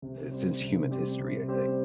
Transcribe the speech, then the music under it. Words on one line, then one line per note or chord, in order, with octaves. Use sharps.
eh, since human history, I think.
C3
G3 C4 G4 C5
C3
G3 C4 G4 C5
C3
G3 C4 G4 C5